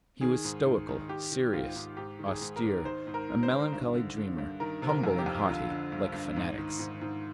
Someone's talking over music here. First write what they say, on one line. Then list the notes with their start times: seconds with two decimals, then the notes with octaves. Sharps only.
He was stoical, serious, austere; a melancholy dreamer, humble and haughty, like fanatics.
0.21 D#3 G#4
0.44 G#2
0.66 G#2
0.88 D#3
1.09 D#3 G4
1.32 D#3
1.53 G#2 F4
1.76 G#2
1.97 G#2 G4
2.19 D#3
2.26 G#4
2.41 G#2
2.56 A#4
2.64 G#2
2.85 D#3 C5
3.07 G#2
3.14 A#4
3.29 G#2
3.43 C5
3.51 D#3
3.72 G2
3.94 D3
4.17 D3
4.38 G2
4.60 D#3 A#4
4.82 C3
4.89 A#4
5.04 F2
5.19 G4
5.26 F2
5.49 D3 F4
5.71 D3
5.92 G2
6.13 G2
6.36 G#2
6.58 D#3
6.79 G#2
7.01 G#2